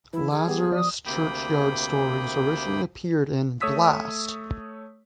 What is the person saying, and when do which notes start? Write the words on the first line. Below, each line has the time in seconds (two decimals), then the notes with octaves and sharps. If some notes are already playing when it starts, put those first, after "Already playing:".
Lazarus Churchyard stories originally appeared in Blast!
0.13 E3 E4
0.31 G#4
0.47 G3 B3 G4
0.72 F3 D5 D#6
1.06 D2 C3 A#3 G5 B5 D#6
3.61 A3 C#5 D#6 E6 B6